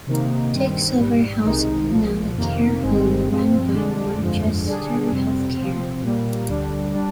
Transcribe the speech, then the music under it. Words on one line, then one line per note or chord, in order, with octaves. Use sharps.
Tixover House is now a care home, run by Barchester Healthcare.
C3 D#3 A#3 D#4
G2 D#3 G3 C4
G#1 G#2 G3
C2 C3 D#3 G#3 D#4
C2 A#2 F3
F2 C3 D#3 A#3
G1 G2 D#3 G#3 C4
G2 F3 C4
F2 D3 G#3 D4
G1 F2 D3 F3 G#3
D3 G3 D4 G#4
F2 C3 G3 C4
C3 F3 C4
A#2 G3 A#3
D2 D3 G3 D4
G3 D4